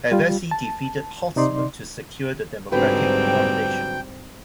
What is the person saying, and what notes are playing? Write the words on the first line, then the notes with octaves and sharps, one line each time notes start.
Hevesi defeated Holtzman to secure the Democratic nomination.
G3 F4
A5
C3 D#4 D5 C6
G#2 D3 F#3 G3 C4 B4 G5